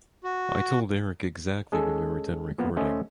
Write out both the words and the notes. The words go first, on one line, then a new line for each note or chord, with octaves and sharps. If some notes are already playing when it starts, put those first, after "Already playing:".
I told Eric exactly when we were done recording.
F#4
G#3 C#4 G#4 A4
F3 A#3 B3
A3 C#4 C5 D#5